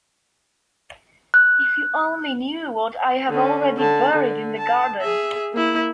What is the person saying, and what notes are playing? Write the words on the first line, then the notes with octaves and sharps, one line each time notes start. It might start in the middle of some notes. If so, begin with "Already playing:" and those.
If you only knew what I have already buried in the garden!
F#6
D3 C#4
D3 A5
D3
A5
G#4 E5
A#3 E4